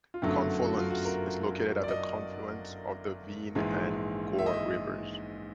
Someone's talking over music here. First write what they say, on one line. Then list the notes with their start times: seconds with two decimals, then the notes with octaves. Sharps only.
Confolens is located at the confluence of the Vienne and Goire rivers.
0.14 F4
0.22 G1 F#2 D3 F#3 A3 E4
0.64 F#4
0.78 F4
0.90 F#4
1.05 A#4
1.83 D5
1.88 D#5
3.55 A#1 G#2 E3 G#3
4.39 E5
4.46 D#5
4.54 E5